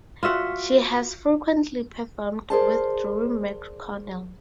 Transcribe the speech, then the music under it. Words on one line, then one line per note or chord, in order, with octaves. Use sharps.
She has frequently performed with Drew McConnell.
F4 F#4 E5 F#5
G#4 A#4 C5 D5 A5